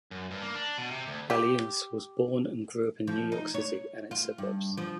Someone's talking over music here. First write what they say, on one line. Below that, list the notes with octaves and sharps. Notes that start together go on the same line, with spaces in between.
Baliunas was born and grew up in New York City and its suburbs.
F#2
G2
A#3
D4
B2
C3
D2
G4
F3
D#4
C#5
F4
G2
F3